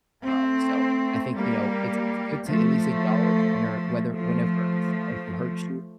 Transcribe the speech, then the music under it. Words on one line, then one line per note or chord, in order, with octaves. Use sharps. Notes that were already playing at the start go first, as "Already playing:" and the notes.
um, so I think, you know, it's it's good to at least acknowledge when or whether whenever someone who hurts you
A3 C4
G3 A#3
F3 A3
F3 A3